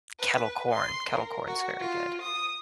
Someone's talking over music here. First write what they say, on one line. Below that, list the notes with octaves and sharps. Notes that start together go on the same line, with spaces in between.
kettle corn, kettle corn's very good.
B4
C6
A#4
F#4
F4
D#6